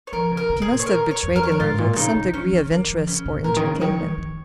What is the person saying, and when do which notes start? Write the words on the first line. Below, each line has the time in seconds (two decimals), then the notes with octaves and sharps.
She must have betrayed in her look some degree of interest or entertainment.
0.07 C#5
0.13 F3 A#4
0.32 C#3
0.37 A#4
0.50 C#3
0.62 G#4
0.68 A#2
0.79 C#5
0.86 A#4
1.11 C#5
1.23 F2
1.36 A#4
1.43 C#5
1.52 A#4
1.60 G#2 F4
1.78 A#2
1.96 C#3 D#4
2.16 C#3
2.33 F3 C#4
2.52 D#3
2.71 D#3 A#3
2.90 F3
3.07 C#3 C#4
3.26 C#3
3.44 A#2 A#4
3.57 D#3
3.62 C#3
3.81 D#3 C#5
3.90 F3
3.99 D#3
4.18 D#3